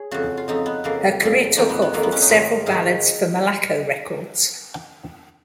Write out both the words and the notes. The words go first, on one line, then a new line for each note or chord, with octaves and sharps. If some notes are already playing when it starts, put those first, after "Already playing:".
Her career took off with several ballads for Malaco Records.
Already playing: G#4 C#5
F2 C#3 F#4
F4
F2 C#3 D#4
B3
F2 C#3 A#3
F2 C#3
F2 D#3 A#3
B3
B3
F2 D#3 A#3
B3
C#4
D#4
G#2 D#3 F4
G#2 D#3 G#4